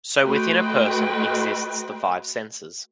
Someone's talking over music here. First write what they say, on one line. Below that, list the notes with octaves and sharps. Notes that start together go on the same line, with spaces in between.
So within a person exists the five senses.
A3 F#4 B4 D#5 G5 C6